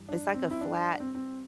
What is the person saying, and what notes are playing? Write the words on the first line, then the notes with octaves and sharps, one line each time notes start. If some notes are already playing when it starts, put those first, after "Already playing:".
It's, like, a flat
Already playing: G2 E3 G3
D4
C4
E4
D4
C4
C4